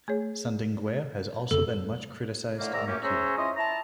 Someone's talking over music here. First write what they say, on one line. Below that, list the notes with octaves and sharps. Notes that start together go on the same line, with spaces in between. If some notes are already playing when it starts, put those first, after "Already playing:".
Sandungueo has also been much criticized in Cuba.
A3 G#4 C#5
F2 C#3 A#3 A4
A2 D3 A3 A#3
G#2 D#3 D5 E5 A#5
C#2 F#2 A3 A#3 C#4 G4
C#4 G#4 C5 C#5 E5 A#5
C#4 E4 F4 D#5
E4 A5 A#5